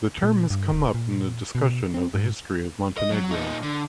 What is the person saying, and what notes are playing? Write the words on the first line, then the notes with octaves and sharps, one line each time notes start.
The term has come up in the discussion of the history of Montenegro.
A#2
G2
D1
A#2
B2
C4
G#2
D#5
F#3
A#2 D#4
D3